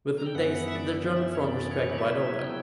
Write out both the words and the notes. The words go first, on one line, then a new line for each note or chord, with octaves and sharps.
Within days the German front was cracked wide open.
A#5
G5
F#2 E3 B3 F#5
E5
D5
E5
C#5
D5
C#5
D5
C#3 F#3 B3 E4 E5
G5